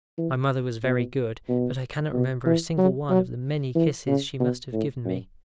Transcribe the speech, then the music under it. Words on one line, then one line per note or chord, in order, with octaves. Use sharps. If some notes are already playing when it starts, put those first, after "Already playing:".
My mother was very good, but I cannot remember a single one of the many kisses she must have given me.
E3
B2
B2
B2
E3
F#3
F#3
E3
C#3
B2
A2
F#2